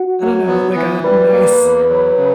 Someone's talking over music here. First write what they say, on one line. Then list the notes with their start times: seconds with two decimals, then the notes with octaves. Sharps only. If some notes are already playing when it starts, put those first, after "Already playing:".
I don't know, like a nice
Already playing: F#4
0.20 F#3
0.48 B3
0.76 E3
1.04 G3 B4
1.32 A#3
1.61 E2
1.89 F#3
2.17 C#3